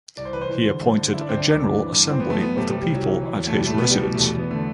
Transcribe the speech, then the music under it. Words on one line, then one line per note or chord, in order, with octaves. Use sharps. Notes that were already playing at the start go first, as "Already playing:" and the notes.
He appointed a general assembly of the people at his residence.
C2 D5
C5
E3 B4
C5
E3
D3
G2
D3
D3 E4
D4
D2 C4
D4
D2
G2
E3
G2
E3 C4
B3
F#2 A3
F#2 B3
C3 A3
G3
C3
G3
C2 F#3
E3
E3
E2
A3
B2 G3
B2 A3
B3
C2 G3
B2 G3
E2 A3
E2 B3
D3 A3